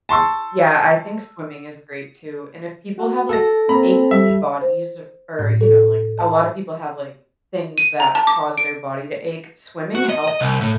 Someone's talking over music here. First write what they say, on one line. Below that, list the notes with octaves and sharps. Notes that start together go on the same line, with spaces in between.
Yeah, I think swimming is great too, and if people have, like, achy bodies or or, you know, like, a lot of people have, like, things that cause their body to ache swimming helps
A5 C6 C#6 E6
F#4
A4 A5 A#6
A#3 C4 A#5 B5
G3 E5
C5
A2
A4
A5
D#7
A#5
A5
D6
D7
F#4
D#5
D#5
C2
A2